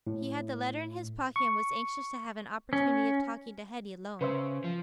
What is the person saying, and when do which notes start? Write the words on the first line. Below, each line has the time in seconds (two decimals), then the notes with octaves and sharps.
He had the letter in his pocket, and was anxious to have an opportunity of talking to Hetty alone.
0.07 A2
1.36 C#6
2.73 C#4
4.21 C#3 B4 C5 E5
4.64 F3